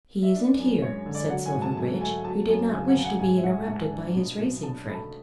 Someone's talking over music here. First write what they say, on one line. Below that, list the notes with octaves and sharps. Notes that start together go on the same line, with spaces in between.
"He isn't here," said Silverbridge, who did not wish to be interrupted by his racing friend.
E5
D4 D5
F#2
G#3 C#5
D3
D5
F#3 F#5
G#5
G#2
A5
F#3 A5
A3 G#5
F#3 A5
F#2
C#3 G#5
F#5
C#3
F#5
G#2 G#5
E5
G#2 F#5
G#2 A5
D4
B2
B1
D4 A5
A3 B5
A5